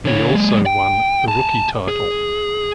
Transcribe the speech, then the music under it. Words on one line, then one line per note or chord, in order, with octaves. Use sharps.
He also won the rookie title.
D3 C#5
F#3 G#3
G5
G#5 A5
G#4